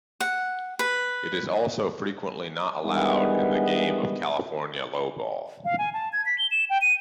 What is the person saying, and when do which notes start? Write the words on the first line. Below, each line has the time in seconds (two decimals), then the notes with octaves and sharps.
It is also frequently not allowed in the game of California lowball.
0.20 F#5
0.79 B4
2.84 G2 D#3 E3 G3 G#3 B3
5.65 F5
5.78 G#5
5.94 A5
6.13 G#6
6.26 B6
6.39 G7
6.51 E7
6.70 G5
6.82 D#7